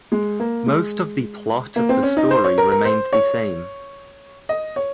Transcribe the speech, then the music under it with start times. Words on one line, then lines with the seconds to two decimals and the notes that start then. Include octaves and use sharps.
Most of the plot of the story remained the same.
0.12 G#3
0.40 A#3
0.66 G#3
1.76 A#3
1.89 C4
2.03 C#4
2.17 D#4
2.31 C5
2.44 C#5
2.58 A#4
2.71 A#4
2.85 C5
3.13 C#5
4.49 D#5
4.76 C#5